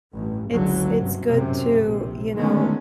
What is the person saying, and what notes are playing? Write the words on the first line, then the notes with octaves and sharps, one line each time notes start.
it's it's good to, you know,
A1 G2
F#1 C#2 D3 F#3
G2 C3
F#2 A2 C3
A#1 C3
D3 D#3 G#3 A3 B3 C#4